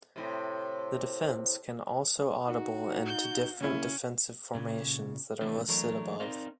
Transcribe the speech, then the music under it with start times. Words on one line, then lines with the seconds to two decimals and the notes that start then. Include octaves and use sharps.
The defense can also audible into different defensive formations that are listed above.
0.16 A2 C3
2.47 D#4 F#4
3.06 G6
3.61 C#3 A#3 C#4 E4
4.55 A#2 C#3
5.41 D#2 A2 C3 E3 A3 D4
5.68 E3 F#3 A3 D4 A#4 C#5
6.20 C4 D#4 A#4 C5 D5 F5